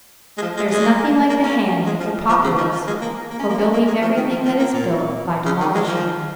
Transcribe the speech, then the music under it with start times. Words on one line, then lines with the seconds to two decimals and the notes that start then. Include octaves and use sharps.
There is nothing like the hand of the populace for building everything that is built by demolishing.
0.38 G#3
0.42 F3
0.57 G#3
0.71 G#3
1.29 A#3
1.43 C#4
1.86 G#3
2.00 F3
2.29 F3
2.43 C#3
2.58 F3
2.72 F3
2.87 G#3
3.01 A#3
3.30 A#3
3.39 C#4
3.49 A#3
3.58 C#4
3.73 A#3
3.87 G#3
4.01 F3
4.16 D#3
4.30 F3
4.45 F3
4.59 A#3
4.74 A#2
5.45 C#3
5.60 D#3
5.75 G#3
5.88 F3